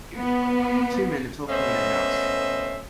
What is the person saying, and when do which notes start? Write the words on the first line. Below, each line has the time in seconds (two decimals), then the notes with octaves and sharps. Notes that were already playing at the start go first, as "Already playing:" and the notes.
Two men are talking in a house.
0.17 B3
1.50 A3 B3 C#4 C5 D#5 E5